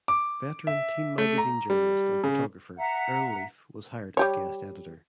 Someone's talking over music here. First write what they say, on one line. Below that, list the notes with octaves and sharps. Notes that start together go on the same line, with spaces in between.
Veteran teen magazine journalist and photographer Earl Leaf was hired as guest editor.
D6
E5
A3
A#5
G3
C#3
E5 F#5 A#5
G3 G4 C#5